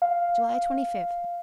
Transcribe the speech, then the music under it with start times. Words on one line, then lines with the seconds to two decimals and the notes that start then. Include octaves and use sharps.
July Twenty-fifth.
0.02 F5